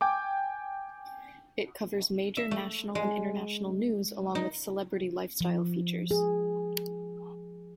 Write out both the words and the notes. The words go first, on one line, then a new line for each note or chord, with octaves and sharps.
It covers major national and international news along with celebrity lifestyle features.
G5 G#5 D6
E5
A3
G#3
D#4
F3
G#4